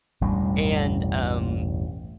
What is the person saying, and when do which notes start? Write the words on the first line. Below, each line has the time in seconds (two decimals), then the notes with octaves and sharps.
And, um,
0.21 E1 A1 G2 G3